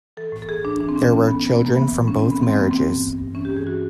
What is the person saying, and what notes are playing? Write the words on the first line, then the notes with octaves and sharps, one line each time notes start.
There were children from both marriages.
E3 A4
A2
A4
E3 G#4
A2 D4
E3 D4
C4
A2 C#4
E3 C#4
A2 B3
E3 B3
B3
A2
A#3
E3 B3
A2
E3 C#4
A2 C4
B3
E3 C4
A2 A#3
B3
E3 C4
G2
E3
G2
E3 C#4
G4
G2
G#4
E3 F#4